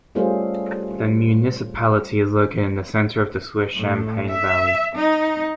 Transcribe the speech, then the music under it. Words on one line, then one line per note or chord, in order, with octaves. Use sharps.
The municipality is located in the center of the Swiss Champagne valley.
G3 A3 C#4 F4 G#4 C5
A2
E5
D#4